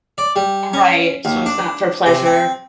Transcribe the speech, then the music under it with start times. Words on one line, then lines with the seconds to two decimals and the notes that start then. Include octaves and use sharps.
Right, so it's not for pleasure.
0.18 D5
0.36 G3
0.73 C#4
1.25 D#2
1.46 D4
2.06 C3
2.26 C4